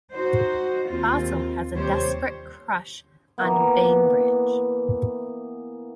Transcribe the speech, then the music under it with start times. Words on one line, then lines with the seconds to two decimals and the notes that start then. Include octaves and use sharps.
Fossil has a desperate crush on Bainbridge.
0.14 D#4 F#4 C5
0.87 D#2 C4 F4
1.75 D#2 C3 G3 G4 C5 C#5
3.38 E3 A#3 B3